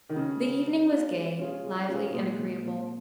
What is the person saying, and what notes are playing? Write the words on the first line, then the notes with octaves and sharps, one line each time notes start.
The evening was gay, lively and agreeable.
D#3
C#3 G#3
C#4 F4 G#4
G#3
C#4 F4 G#4
G#3
C#4 F4 G#4
G#3
C#4 F4 G#4
A#2 G#3
F3 C4
A#2